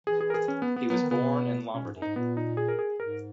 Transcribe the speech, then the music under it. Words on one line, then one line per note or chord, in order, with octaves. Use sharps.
He was born in Lombardy.
E3 G#4
G#4
A#4
G#4
C#4
B3
B3
F#3 B3
D#3
C#3 B3
B2
B2 C#4
G#2
F#2
G#2 D#4
A#2 B3
D#4
G#4
A#4
G#4
G#2 A#4